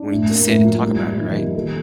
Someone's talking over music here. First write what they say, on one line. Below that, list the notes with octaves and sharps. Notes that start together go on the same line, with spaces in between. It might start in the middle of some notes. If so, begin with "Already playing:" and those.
we need to sit and talk about it. Right?
Already playing: D4
A2
A#3
A2
F3
G3
G3
D#3
D#2
A4